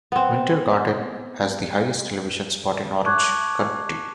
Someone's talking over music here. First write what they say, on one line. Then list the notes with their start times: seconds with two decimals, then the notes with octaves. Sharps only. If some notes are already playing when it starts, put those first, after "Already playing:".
Winter Garden has the highest elevation spot in Orange County.
0.12 B3 C4
3.05 A5 C#6 D6 F#6 G#6